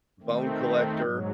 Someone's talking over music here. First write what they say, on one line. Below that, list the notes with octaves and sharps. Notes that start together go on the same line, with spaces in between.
Bone Collector
D#3 A3 C4
G#2 F#3